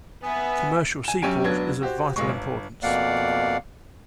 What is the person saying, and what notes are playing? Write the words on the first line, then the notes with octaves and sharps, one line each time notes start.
Commercial seaport is of vital importance.
B3 B4 E5 G#5
G#5 E7
F#2 C#4 G4 G#5 D7
E1 F#3 B3 D4 G#6
F#4 G4 C5
D#1 A#2 G#3 C#6
G1
F2 B2 A#3 D5 F5 F#5